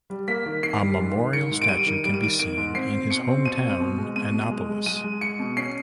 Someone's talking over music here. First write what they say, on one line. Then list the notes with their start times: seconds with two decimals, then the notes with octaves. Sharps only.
A memorial statue can be seen in his hometown Anopolis.
0.10 G3
0.28 A#3 B6
0.46 D#3
0.63 D#3 C7
0.81 G3
0.98 G#2
1.16 D#3
1.33 D#3 C#7
1.51 G#2
1.62 D7
1.69 G3 D#7
1.86 D#3
2.04 G3 D7
2.14 D#7
2.22 D#3 D7
2.39 D#3 D7
2.57 G#2
2.75 C4 C7
2.92 C4
3.10 B2 C#7
3.27 C4
3.45 B2 D#7
3.62 C4
3.80 B2
3.98 G#3
4.16 B2 D#7
4.33 B2
4.51 G#3
4.69 G#3
4.86 G#3 D#7
5.04 G#3
5.21 G#3 C#7
5.39 B2
5.57 C#4 C7